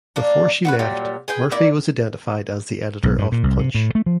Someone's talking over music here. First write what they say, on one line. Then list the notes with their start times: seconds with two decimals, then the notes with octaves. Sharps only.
Before she left Murphy was identified as the editor of "Punch".
0.16 A#3 D4
0.65 B3 F#4 B4
0.79 A#2 F#3 G3
1.28 G#4 B4 G5
1.51 A#3 E4 D5
3.03 B1
3.18 G2
3.32 A#2
3.43 C2
3.59 C3
3.75 A2
3.95 A3
4.06 F3